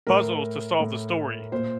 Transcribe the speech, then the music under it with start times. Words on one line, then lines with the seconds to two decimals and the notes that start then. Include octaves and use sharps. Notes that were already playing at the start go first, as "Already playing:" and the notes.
puzzles to solve the story.
0.07 A2 A#4
0.79 A2
1.52 A#2 C5